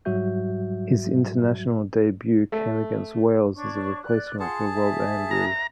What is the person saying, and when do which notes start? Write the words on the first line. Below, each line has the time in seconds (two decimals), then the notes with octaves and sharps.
His international debut came against Wales as a replacement for Rob Andrew.
0.05 G#2 F#3 G3 F#4 E5 G6
2.52 A3
3.55 D4 C#5 C#6
4.03 D5 F#6
4.40 F4 G#4 F#5 A5 C6
4.73 E5
5.31 A#5